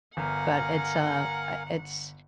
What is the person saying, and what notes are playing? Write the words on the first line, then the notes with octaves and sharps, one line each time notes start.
but it's, uh uh, it's
G1 A#4 F5 F#5 G#5 A#5